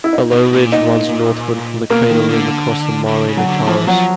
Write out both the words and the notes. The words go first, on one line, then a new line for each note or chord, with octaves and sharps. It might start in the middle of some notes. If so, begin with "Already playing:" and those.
A low ridge runs northward from the crater rim across the Mare Nectaris.
E4
D#4
B2
A#2
D#4
B2 A#3
D#3
D3
D3
C#3
F#3
D3
E3 F3
F3 F#3